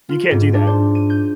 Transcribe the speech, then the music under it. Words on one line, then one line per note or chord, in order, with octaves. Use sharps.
You can't do that.
F4
G#2
D4
C5
D#7
G6